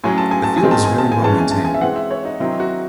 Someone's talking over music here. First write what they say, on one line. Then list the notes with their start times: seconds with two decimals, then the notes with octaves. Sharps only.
The field is very well maintained.
0.04 A2 F#3 C#4 G#5
0.18 A5
0.31 G#5
0.44 A5
0.58 G#5
0.63 D#3 G#3 C4 D#4
0.71 A5
0.85 G#5
0.98 A5
1.12 G#5
1.22 E3 G#3 C#4 A5
1.38 G#5
1.51 A5
1.65 G#5
1.74 E5
1.81 E3 G#3 C4 F#5
1.96 E5
2.11 C#5
2.25 D#4
2.40 D#3 F#3 C4 D#4 E4
2.60 F#4